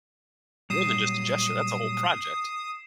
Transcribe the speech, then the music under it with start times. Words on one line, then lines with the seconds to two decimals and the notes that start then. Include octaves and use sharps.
more than just a gesture, that's a whole project.
0.70 A#2 F#3 G3 D#6 C7 E7